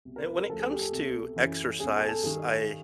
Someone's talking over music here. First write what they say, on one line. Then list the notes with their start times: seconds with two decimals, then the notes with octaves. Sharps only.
And when it comes to exercise, I
0.05 C2 B2
0.16 A#4
0.27 B4
0.38 A#4
0.50 D2 C#3 F3 A4
0.59 G#4
0.71 G4
0.82 A4
0.92 C2 B2
1.36 F#2 C#3 E3
1.80 C#2 B2 G#4
1.95 A4
2.09 A4
2.23 G2 D#3 G#4